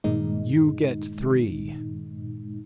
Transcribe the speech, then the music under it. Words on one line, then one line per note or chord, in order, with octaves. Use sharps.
"You get three."
G2 A#2 D#3 G#3 D#4